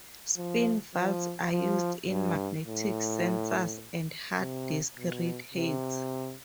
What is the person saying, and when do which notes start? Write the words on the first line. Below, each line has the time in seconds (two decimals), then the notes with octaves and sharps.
Spin valves are used in magnetic sensors and hard disk read heads.
0.37 F3
0.94 F3
1.52 F3
2.10 G2
2.67 A2
4.40 C3
4.97 B2
5.54 C3